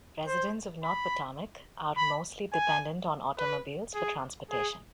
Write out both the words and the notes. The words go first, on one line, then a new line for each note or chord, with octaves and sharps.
Residents of North Potomac are mostly dependent on automobiles for transportation.
C5
B5
B5
G#5
B4
G#4
G#4